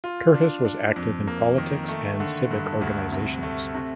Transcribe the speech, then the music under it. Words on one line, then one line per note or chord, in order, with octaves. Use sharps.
Curtis was active in politics and civic organizations.
F4
D4
D4
F2
A#3
D#3
A3
D3
G2
D2
C3
A3
C3